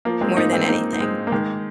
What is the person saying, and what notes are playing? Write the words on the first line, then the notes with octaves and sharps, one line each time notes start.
more than anything.
F3 A#3
G#3 C4
A#3 D#4
G#3 C4
A#3 D#4
D#4
G#3 C4
A#3
D#3 G#3